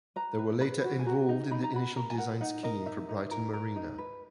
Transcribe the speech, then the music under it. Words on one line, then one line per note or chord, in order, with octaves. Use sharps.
They were later involved in the initial design scheme for Brighton Marina.
B4 A#5
B4
B4 B5
F#4
G#5
F#4 A#5
D#4
D#4 B5
A#5
F#4 B5
A#4 A#5
G#5
A#4 F#5
D#4 F#5
A#4 D#5
D#4 E5
D#4
A#4
A#4
D#4
B4